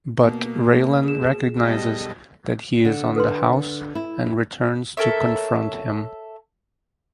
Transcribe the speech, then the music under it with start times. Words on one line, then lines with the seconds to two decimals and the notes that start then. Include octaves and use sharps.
But Raylan recognizes that he is on the house and returns to confront him.
0.23 B2 A#3
1.04 G#4 E7
1.63 B2 G3 A4 D#5
2.85 D3
3.16 A4 B4 C6
3.95 E4
4.97 A4 A#4 C#5 E5